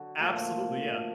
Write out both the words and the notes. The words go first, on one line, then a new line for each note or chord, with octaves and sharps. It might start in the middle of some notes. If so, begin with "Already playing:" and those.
Absolutely, yeah.
Already playing: D3 F#3 F#4
A#2 F3 A3